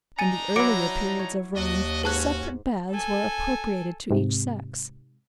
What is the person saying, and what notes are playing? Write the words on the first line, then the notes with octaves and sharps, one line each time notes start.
In the earlier periods of Rome, separate baths were appropriated to each sex.
D4 D#4 G#5 A#5 A6 D#7
F#3 E4 D6 C#7 D7
C#5
D#2 D4 F#4 D#5
G#2 C#4 F#4 B4 A5 F#6
A4 G#5
G#2 C3